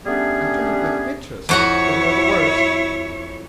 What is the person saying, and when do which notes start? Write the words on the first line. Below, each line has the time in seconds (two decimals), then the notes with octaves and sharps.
I turned with interest to hear the worst.
0.05 G3 A3 B3 C#4 D4 G#4
1.49 F2 E4 F#4 C#5 F#5